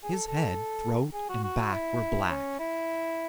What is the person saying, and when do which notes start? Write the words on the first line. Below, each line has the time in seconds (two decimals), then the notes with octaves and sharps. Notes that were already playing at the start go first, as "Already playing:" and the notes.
His head, throat and back were black.
0.04 G#4
0.13 A4
0.28 A4
1.14 G#4
1.29 F#4
1.44 F#4
1.73 E4
2.30 C#4
2.59 E4